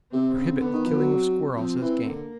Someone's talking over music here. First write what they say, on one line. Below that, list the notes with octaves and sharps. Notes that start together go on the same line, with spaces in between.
Prohibit the killing of squirrels as "game."
C3 C4
C#3
D3 B3
D#3
F3
F#3
C4
F3 C4
E3
D3 A#3